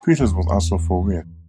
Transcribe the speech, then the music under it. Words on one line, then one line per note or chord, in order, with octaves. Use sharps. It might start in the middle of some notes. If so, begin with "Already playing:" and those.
Peters was also for Witt.
E2